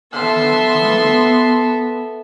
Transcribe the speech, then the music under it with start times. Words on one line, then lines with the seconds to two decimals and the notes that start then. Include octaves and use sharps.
Uh-huh, oh.
0.15 B3 A4 E5 C6